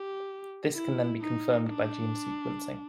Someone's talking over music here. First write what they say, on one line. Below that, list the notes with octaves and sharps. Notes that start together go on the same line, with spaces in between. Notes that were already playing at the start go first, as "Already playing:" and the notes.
This can then be confirmed by gene sequencing.
Already playing: G4
E4
D#4
D4